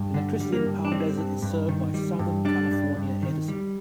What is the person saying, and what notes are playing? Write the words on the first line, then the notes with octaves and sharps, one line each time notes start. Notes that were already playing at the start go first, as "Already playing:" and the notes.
Electricity in Palm Desert is served by Southern California Edison.
Already playing: G2
D3
G3
A#3
G2
D4
G3 C4
G2
G2
D#3
G3
G2
G3 D4
G2
G2
D#3
G3